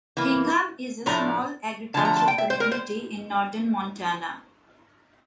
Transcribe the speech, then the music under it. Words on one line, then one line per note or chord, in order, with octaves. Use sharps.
Hingham is a small agricultural community in northern Montana.
E3 A#3
A2 F3 A3 D4 A#5
D3 F3 A3 A5
A#5
A5
G5
E5
C5
A#4
C5